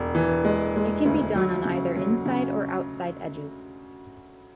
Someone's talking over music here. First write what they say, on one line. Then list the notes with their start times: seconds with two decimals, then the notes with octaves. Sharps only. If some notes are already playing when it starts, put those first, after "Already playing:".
It can be done on either inside or outside edges.
Already playing: E1
0.15 E3
0.45 G#3
0.76 G#3
1.05 D2
1.36 F#3
1.65 C#3
1.96 F#3
2.26 C#3